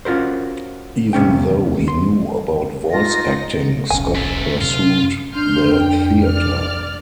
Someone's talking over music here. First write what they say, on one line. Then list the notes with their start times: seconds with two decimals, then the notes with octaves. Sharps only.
Even though he knew about voice acting, Scott pursued the theater.
0.05 C#4 F4 F#4 A#4 C5
1.13 D#2 C3 C#4 G5
1.88 C6
2.93 D#4 F4 A#6
3.90 D#1 B1 C#4 G#5
4.15 F#2 A3
4.61 F#2 C3 F4
5.34 F2 D4 C6 F6 G6
5.75 G5
6.27 D5 F6